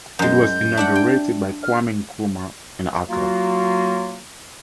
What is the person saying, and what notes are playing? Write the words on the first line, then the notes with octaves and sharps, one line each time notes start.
It was inaugurated by Kwame Nkrumah in Accra.
F#2 G#3 G6
D4 E5 F#5
G5
F6
F#3 A#3 F4 F#4